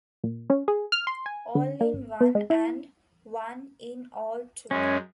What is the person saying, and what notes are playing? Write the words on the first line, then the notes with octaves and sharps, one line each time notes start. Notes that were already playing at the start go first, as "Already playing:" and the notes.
All in one and one in all too.
A#2
C#4
G#4
F6
C6
G#5
D3
A#3
G#1
B3
G#3
E4
F#2 G#3 C#4